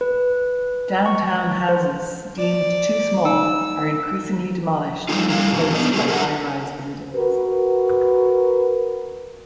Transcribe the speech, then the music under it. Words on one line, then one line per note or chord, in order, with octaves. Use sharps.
Downtown houses deemed too small are increasingly demolished and replaced by high-rise buildings.
B4
C#6
C5
D5
D#4 E6
F3 G3 A3 D#4 F4
G3 E4 F5 A#5
F#2 B2 D3 E3 F#3
B3 D4 D#4
F#3 G#3 G4 A4
G#4 A#4 C#5 E5 F#5
F#4 A#4 B4